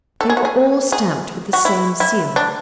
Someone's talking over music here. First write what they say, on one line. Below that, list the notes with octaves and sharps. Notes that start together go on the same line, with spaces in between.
They were all stamped with the same seal.
A4
G#4
F#4
G#4
G#4
F#4
E4
E4
D4